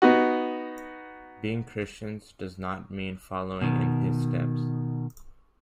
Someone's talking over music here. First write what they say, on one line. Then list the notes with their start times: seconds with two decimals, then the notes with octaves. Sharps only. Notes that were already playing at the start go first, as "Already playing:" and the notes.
Being Christians does not mean following 'in his steps.
0.02 B3 D#4 F#4
3.62 B2 D#3